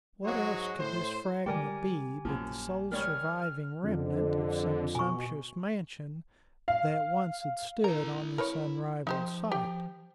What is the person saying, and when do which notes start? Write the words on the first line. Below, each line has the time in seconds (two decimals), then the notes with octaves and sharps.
What else could this fragment be but the sole surviving remnant of some sumptuous mansion that once had stood on this unrivaled site?
0.24 G#2 F#3 G#3 F#4 C#5
0.78 A2 C5
1.46 D3 G3 G#3 G4 A#4 D5 G5 G#5
2.25 A#1 F#2 F3 A#3
2.91 D#3 G3 C#5 F6
3.84 F2 D3
4.95 B2 G#5 C#6
6.68 F5
7.84 E4 A#4 A#5
8.38 A#4 B4 C#5
9.07 F3 D#4 G4 C5
9.51 G4 G5